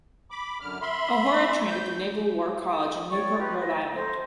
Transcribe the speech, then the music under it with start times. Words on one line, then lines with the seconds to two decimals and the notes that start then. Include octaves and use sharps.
O'Hora trained at the Naval War College in Newport, Rhode Island.
0.31 B5 D6
0.61 F#2 D3 F6
0.82 E5 B5 C6
1.66 G6
3.11 C#5 D5 G5 C#6
3.38 F4 G4 B4
3.59 D#5
3.95 A4 C5 D#5